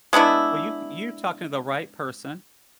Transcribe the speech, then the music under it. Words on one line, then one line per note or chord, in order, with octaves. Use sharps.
Well you you're talking to the right person,
G#3 B3 D4 E4